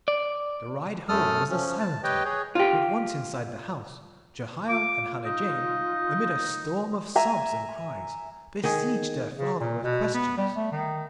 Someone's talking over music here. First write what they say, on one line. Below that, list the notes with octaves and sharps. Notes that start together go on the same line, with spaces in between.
The ride home was a silent one; but once inside the house, Jehiel and Hannah Jane, amid a storm of sobs and cries, besieged their father with questions.
D5
F#2 A3 A4 D#6 F6
F3 C#4
A5
G4 B4 C#5 D#5 G5
G#4 C#5
F4 G4
F4 D6
D#4
E5 G#5 A#5
D#3 G#4
C#3
A#2
B2
B3
G3
A3
D#3